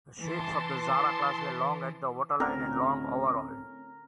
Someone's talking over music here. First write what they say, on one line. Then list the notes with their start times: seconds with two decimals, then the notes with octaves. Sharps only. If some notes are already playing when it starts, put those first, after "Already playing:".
The ships of the "Zara" class were long at the waterline and long overall.
0.20 E3 A5 C6
2.40 D2 A2 C4 C#4 A#4